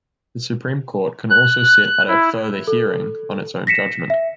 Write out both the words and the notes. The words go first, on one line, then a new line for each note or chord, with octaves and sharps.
The Supreme Court can also sit at a "further hearing" on its own judgment.
F#6
E4
A4
A#6 B6 C#7 E7
E5